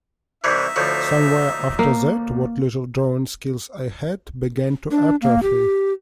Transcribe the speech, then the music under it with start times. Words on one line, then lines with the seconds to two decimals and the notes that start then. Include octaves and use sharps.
Somewhere after that what little drawing skills I had began to atrophy.
0.44 C2 C3 E3 D#4 E5
0.76 D2 A2 F3
1.79 A#3
4.91 D4
5.22 A#3
5.43 G4